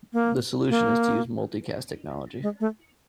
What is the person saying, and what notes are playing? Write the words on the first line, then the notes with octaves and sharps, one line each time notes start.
The solution is to use multicast technology.
A#3
A#3
G#3
A3